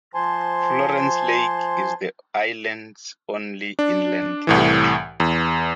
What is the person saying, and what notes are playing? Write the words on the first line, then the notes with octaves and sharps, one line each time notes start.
Florence Lake is the island's only inland lake.
F3 C5 G#5 A5 C6
D4
C2 A2 E3
E2